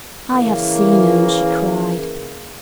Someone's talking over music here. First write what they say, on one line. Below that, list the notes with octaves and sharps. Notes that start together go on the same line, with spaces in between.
"I have seen him!" she cried.
C#3 E3 A#3